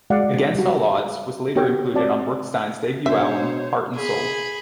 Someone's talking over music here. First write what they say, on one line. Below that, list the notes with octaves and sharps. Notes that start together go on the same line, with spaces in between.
"Against All Odds" was later included on Brookstein's debut album "Heart and Soul".
G#3 F#4 D5 F5 F#5
G3 F#4
G#4
B3 F#4 G4 C#5 G5
C4 F4 F#4 C#5 D5 A5
B2 D4 C5 C#5 E5
G#4 B5